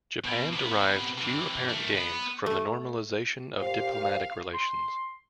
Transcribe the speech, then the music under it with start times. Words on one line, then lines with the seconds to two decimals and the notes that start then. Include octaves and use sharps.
Japan derived few apparent gains from the normalization of diplomatic relations.
0.24 B2
0.53 C3 B3
1.18 C3 E3
1.68 D#3 A3
1.95 B3
2.46 A3
3.58 A#2 G4 C5 F5
4.54 C6